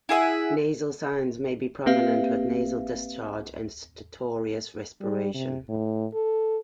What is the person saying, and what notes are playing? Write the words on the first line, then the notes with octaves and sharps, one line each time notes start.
Nasal signs may be prominent, with nasal discharge and stertorous respiration.
E4 G#4 E5 F#5
A#3 C4 G4 B4 E5 F5
G3
C3
A2
A4